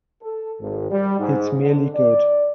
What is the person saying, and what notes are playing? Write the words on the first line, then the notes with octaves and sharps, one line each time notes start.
It's merely good.
A4
G#1
G3
G#2
D3
D5